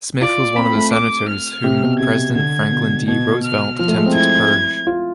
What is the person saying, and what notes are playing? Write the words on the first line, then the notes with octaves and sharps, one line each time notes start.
Smith was one of the senators whom President Franklin D. Roosevelt attempted to purge.
F4 D5
C4 B5
A3
D6
F6
C3
B2
C3 G#6
D3 G#6
B2
B2 G#6
F6
F3 F6
A3
G#3
C4
E4 G#6
F4